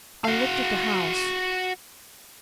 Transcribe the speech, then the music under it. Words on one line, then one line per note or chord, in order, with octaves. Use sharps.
I LOOKED at the house.
F#4 F5